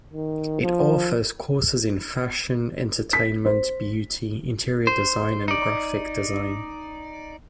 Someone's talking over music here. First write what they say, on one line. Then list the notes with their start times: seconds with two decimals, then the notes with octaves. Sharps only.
It offers courses in fashion, entertainment, beauty, interior design, and graphic design.
0.13 D#3
0.62 F3
3.13 B6
3.45 C5
4.87 C5
5.48 D#4 D5